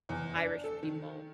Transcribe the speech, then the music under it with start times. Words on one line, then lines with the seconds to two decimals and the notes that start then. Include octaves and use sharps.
Irish people.
0.09 E2
0.36 D4
0.64 A4
0.83 D#3